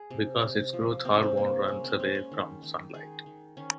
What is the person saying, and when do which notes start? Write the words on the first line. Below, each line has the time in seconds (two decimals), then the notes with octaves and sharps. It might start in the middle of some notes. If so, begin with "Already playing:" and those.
Because its growth hormone runs away from sunlight.
Already playing: G#4
0.10 C3
0.42 C3
0.73 F3
1.05 C3 C4
1.14 C#4
1.23 C4
1.37 A#3
1.68 G#3 C#4
1.84 C4
1.99 G#3 C#4
2.15 C#4
2.32 D#3
2.63 D#3
2.94 D#3 G#4
3.26 D#3
3.57 D#3 C#4